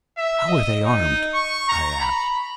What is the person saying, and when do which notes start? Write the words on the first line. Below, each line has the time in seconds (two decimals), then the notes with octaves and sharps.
"How are they armed?" I asked.
0.17 E5
0.47 D#5
0.86 D#4
1.35 C#6
1.69 A#5
2.01 B5